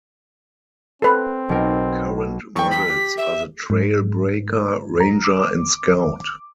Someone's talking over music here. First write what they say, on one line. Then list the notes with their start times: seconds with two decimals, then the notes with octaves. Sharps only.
Current models are the Trail-Breaker, Ranger and Scout.
1.02 C4 A4 B4
1.49 B1 A#4 G5
2.56 E2 G5 C#6
2.71 B6
2.90 G4
3.17 E5
3.70 G#2
5.00 A#5
5.24 D6